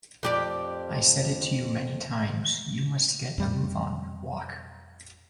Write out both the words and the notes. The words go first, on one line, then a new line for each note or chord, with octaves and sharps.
I said it to you many times: you must get a move on, walk.
F2 G4 D5
F2 G3